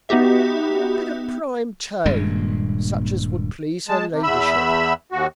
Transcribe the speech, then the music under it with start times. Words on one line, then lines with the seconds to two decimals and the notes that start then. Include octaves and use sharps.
And a bit of prime tay, such as would please her ladyship.
0.09 B3 D#4 F#4 G4 E5
2.05 D#1 G2 A#2 G#3
3.88 G#3 A5
4.11 C3
4.23 E2 E5 B5 E6
5.12 D#2 F#4